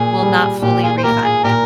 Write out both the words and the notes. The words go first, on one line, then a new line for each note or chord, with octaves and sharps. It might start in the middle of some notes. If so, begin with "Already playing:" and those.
will not fully refund.
Already playing: A#2 G#4
G3
A#2 G4
F4 G#4
C5
A#3 G4 A#4
G#4
A#2 G4 A#4